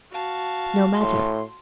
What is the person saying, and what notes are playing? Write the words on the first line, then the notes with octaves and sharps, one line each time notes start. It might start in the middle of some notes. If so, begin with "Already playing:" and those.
"No matter."
F#4 F5 A5
A2 C6